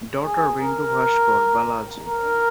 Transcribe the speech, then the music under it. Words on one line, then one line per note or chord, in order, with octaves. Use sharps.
Daughter Bindu Bhaskar Balaji.
G#4
A#4
A#4